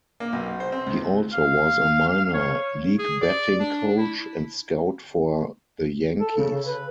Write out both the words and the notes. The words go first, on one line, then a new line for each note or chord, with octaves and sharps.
He also was a minor league batting coach and scout for the Yankees.
A#3
B1
C5
C4
C#2
F5
C#5
G#4
D5
D4
E4
A4
C#3
C#3
B4